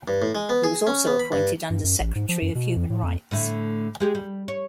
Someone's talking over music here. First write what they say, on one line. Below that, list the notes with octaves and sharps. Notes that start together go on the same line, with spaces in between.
He was also appointed Undersecretary of Human Rights.
G2
A2
G#3
B3
G#4
C#4
B3
B5
G2
G2
F#2
A1
G#2
F3
F#2
B2
F2
A2
F2
A2 D3 A3
G#3 G4 G#4
G3
C#5